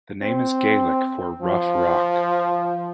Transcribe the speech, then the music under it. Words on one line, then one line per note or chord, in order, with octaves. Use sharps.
The name is Gaelic for "rough rock".
C4
F3